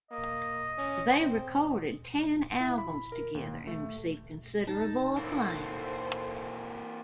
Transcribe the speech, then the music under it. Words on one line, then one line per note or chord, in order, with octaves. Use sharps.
They recorded ten albums together and received considerable acclaim.
A#3 D#5
C#4
C4
E4
B5
A#4
D#2
A3
D#4 A5
E3 A#3 A4 C5